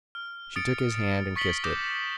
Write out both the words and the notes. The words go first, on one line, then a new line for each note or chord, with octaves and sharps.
She took his hand and kissed it.
F6
D#6 A6 C#7 D7
C#6 A6 B6 C#7 F#7 G7
D6 D#6 G6 A#6 E7